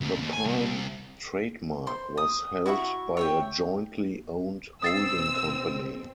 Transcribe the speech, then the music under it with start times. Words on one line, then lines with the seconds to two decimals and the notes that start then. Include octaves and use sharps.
The Palm trademark was held by a jointly owned holding company.
0.01 D2
0.20 D#2
0.33 G#5
0.45 C2
1.87 C5 C6
2.17 D#6
2.66 E4 F#4 E5 C#6
3.17 C#5 E5 G5
4.82 B2 C4 D#6 E6 A6 C7